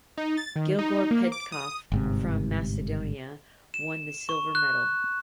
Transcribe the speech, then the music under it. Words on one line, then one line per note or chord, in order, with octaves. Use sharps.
Gligor Petkov from Macedonia won the silver medal.
D#4
A6
D#3
D#4
A#3
D6
D#6
G1 G#2 C3
E7
C#6
F#6